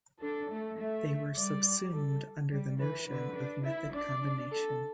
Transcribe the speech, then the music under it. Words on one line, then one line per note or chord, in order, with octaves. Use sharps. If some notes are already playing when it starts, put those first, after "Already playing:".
They were subsumed under the notion of method combination.
D4 A4
A3
A3 E5
G3 D5
A4
G3
E3 B4
D3 B4
D4
E4 E5
D4 D5
A4